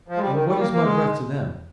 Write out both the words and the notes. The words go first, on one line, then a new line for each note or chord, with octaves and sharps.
And what is my breath to them?
F3
G#3
G3
D#3
G3
A#3
A#3
G#3